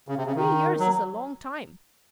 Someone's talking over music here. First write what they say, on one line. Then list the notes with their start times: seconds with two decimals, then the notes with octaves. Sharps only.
Three years is a long time.
0.08 C#3
0.17 C3
0.26 C#3
0.35 D#3
0.80 F#3